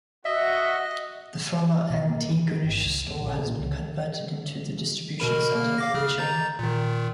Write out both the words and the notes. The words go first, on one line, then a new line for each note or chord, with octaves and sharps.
The former Antigonish store has been converted into the distribution centre for the chain.
F#4 D#5 E5
B2
A#3
E3
D#3
G1
C#2
D#2
A#1
C#3
A#2
C#2
B2 A#4 B5
A#3 F6
F5 D6 A#6
C#3 G#4 F6
A#5 G6 A6
A#2 D#3